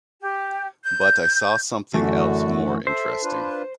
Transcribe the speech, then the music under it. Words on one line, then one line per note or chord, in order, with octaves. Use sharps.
But I saw something else more interesting.
G4
G6
F#2 D3 E3 A3 F#4
A4 C5 E5
D4 F4 B4